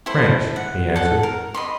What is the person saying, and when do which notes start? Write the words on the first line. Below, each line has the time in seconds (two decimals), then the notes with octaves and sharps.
"Trench," he answered.
0.06 E4 A4 C5
0.56 F#5
0.96 A4 F#5
1.23 A#4
1.54 D#5 B5 C6